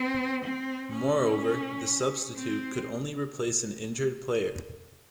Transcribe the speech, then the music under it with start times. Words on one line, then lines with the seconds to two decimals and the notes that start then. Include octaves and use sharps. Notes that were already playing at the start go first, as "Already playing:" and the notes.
Moreover, the substitute could only replace an injured player.
Already playing: C4
0.44 C4
0.92 C#4
2.36 C4